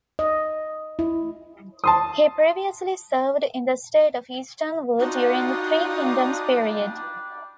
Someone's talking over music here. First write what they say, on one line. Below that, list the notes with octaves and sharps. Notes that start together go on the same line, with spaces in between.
He previously served in the state of Eastern Wu during the Three Kingdoms period.
D#5
E4
A5 C6 D#6
G3 D4 D#4 F4 F#4 D#6